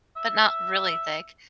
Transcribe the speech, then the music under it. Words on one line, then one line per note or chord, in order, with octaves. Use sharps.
but not really thick.
E5